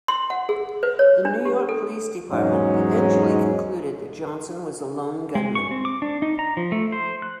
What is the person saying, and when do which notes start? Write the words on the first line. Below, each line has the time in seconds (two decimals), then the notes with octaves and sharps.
The New York Police Department eventually concluded that Johnson was a lone gunman.
0.08 C6
0.30 F#5
0.49 G#4
0.83 B4
0.99 C#5
1.25 D4
1.45 G4
1.69 A4
2.31 E2 G#2 F#3 G#3 C#4 D#4
5.35 G#3
5.55 C#6
5.71 C4
5.85 D6
6.02 D4
6.22 D#4
6.39 A#5
6.57 F3
6.72 A3
6.92 C5
7.22 F#6